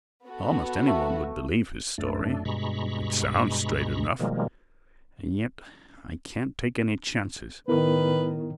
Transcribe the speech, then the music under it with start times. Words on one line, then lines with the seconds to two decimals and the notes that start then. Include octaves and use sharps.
Almost any one would believe his story--it sounds straight enough--and yet I can't take any chances.
0.25 B3 F#4 A4
0.87 A3
1.98 F#2 A3 D4
2.45 G2 B2 G#3 A#5 B5 C#6
4.19 B2 D#3 F3 G3 G#3 A#3
7.68 A2 D#3 B3 E4 A#4 B4